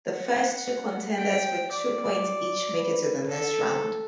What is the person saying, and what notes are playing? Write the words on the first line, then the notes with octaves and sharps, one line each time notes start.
The first two contenders with two points each make it to the next round.
F#5
G5
D5
B4
A4